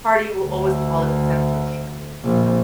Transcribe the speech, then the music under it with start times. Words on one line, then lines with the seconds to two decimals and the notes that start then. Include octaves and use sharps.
party will always call it censorship
0.44 D2
2.25 A#1